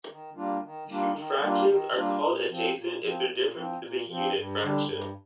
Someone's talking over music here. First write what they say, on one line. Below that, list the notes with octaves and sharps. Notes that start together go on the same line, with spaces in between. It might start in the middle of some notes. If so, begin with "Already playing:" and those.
Two fractions are called adjacent if their difference is a unit fraction.
D#3
G3 A#3 D4 F4
D#3
G3 A#3 D4 F4
D#3
G3 A#3 D4 F4
D#3
G3 A#3 D4 F4
A#2
F3 C4
A#2
F3 C4
A#2
F3 C4
A#2
F3 C4
G2
D3 G3 D4
G2